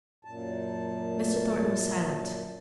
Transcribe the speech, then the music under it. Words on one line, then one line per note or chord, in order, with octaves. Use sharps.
Mr. Thornton was silent.
F#2 A#2 A5